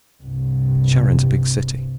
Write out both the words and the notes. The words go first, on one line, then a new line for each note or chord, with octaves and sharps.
Charin's a big city.
C2 G2